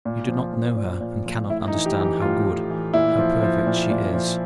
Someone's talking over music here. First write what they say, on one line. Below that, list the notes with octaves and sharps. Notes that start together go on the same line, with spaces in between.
You do not know her, and cannot understand how good, how perfect she is.
A#2
F3
F3
A#2
A#2
F3
A2 E4
D#4
E3
G4
E3
G4
A2 F4
A2
E3
A#2 E4
F3
F3
A#2
A#2
F3